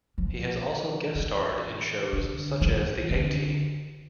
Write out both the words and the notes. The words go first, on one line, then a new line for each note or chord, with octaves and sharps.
He has also guest starred in shows such as "The A-Team".
F3
E3
D3
E3
D3